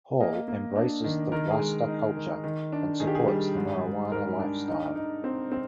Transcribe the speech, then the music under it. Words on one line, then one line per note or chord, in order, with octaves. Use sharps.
Hall embraces the Rasta culture and supports the marijuana lifestyle.
A#3 D#5
A#3
D4
D#3
D#3 A#4
G#4
G#3
D#4
D#3
D#3
D4
D#3 G#4
G4
G#4
G3
G#2
G#2
G#2 A#4
D4
D#4
D#4
C4
C4